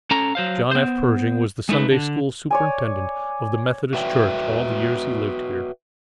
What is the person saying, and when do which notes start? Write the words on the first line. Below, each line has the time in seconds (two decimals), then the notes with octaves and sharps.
John F. Pershing was the Sunday School superintendent of the Methodist Church all the years he lived here.
0.11 C#4 A4 A#5
0.35 F#3 C5 F5
0.71 B3 C5
1.69 G#3 A3 D#4 B4
1.91 D3
2.50 C#5 D5 G#5
3.94 F#4 B4 C#5 D5 E5 G5